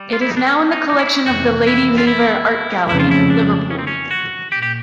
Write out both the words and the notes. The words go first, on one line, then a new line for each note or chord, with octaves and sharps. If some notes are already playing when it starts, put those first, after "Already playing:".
It is now in the collection of the Lady Lever Art Gallery, Liverpool.
Already playing: G3
F4
E4
D#4
D4
C#4
D#4
D#4
E4
F2 C3 E3 F#4
E4
F4
E4
F2 C#3 F3 A3 C#4 E4
F4
E4
D4
C#4
C4
C#4
F#4
A#2 G4
G4